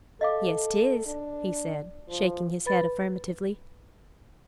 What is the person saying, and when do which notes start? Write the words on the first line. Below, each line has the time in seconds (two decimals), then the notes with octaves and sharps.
"Yes 'tis," he said, shaking his head affirmatively.
0.21 A4 D#5 F5 D6
1.07 D4
2.09 F3
2.66 B4 B5 A6